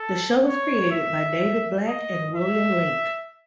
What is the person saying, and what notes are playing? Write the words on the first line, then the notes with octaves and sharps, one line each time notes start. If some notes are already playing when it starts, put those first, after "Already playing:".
The show was created by David Black and William Link.
Already playing: A4
C#5
E5
D#5
E5